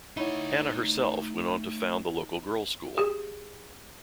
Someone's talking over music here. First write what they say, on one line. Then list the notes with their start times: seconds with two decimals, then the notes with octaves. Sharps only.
Hannah herself went on to found the local girls' school.
0.17 A3 D#4 E4 C#5 F#5
2.98 G4 G#4